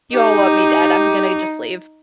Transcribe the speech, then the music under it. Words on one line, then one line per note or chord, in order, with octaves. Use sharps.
you all want me dead, I'm gonna just leave."
D#4 G4